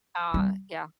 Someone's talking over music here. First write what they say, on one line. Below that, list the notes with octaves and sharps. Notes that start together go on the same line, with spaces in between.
Ah. Yeah.
G3